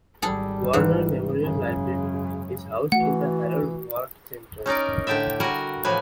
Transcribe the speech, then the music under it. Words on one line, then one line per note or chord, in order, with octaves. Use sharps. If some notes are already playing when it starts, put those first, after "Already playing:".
Warner Memorial Library is housed in the Harold Howard Center.
G#1 G3 G#4 A4
G#2 E3
F#2 C#3
E3 A3 F#4 F#5
C#4 D#4 A#4 D5
A2 D3 G4 D5 E5
G3 F#4 A#4 F#5 G#5
A2 E3 F3 B4 G#5